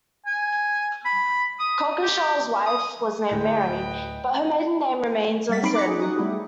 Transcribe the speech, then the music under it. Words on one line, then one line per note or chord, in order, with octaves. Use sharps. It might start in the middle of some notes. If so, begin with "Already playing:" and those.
Coggeshall's wife was named Mary, but her maiden name remains uncertain.
G#5
B5
D#6
G4
D#6
D2 A2 B4 D#5 G5
G3 A3 F#5 A6 B6
F#3 C4 D#4 B5 C7 D7
D6 F#6 A#6 B6 C#7
C#4 D#4 G#4
D#4 F#4 D#6 F#6
G3 A3 B3 E4 G4 G#4